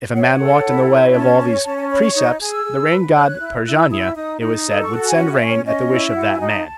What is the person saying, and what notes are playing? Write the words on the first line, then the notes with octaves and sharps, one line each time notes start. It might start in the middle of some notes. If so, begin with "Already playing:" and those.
If a man walked in the way of all these precepts, the rain-god Parjanya, it was said, would send rain at the wish of that man.
C#5 F#5
E5
F#5
A4
E4
C#5
C#4 A5
C#5
C#4 A5
A5
C#5 B5
C#6
D#4 C#6
G#4
E6
G#4
B4
C#5 F#6
E4
E4 F#6
E6
E4 D#6
E6
D#4 D#6
D#4
A4 D#6
C#6
F#4
A5
G#5
C#4 F#5
F#5
E5
C#4
C#5
C#4 D#5
E4
F#4 F#5
G#5
D#4
A5